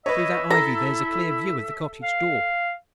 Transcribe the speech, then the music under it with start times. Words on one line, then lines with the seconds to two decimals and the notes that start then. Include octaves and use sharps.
"Through that ivy there's a clear view of the cottage door."
0.06 B4 C#5 D#5 E5
0.50 E4 A4 A#5
2.03 F5